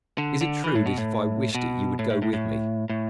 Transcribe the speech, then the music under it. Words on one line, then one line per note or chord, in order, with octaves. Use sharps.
"Is it true that if I wished it you would go with me?"
D3
D3
E3
A2
B2
A2
B2
A2
A2
A2
A2
A2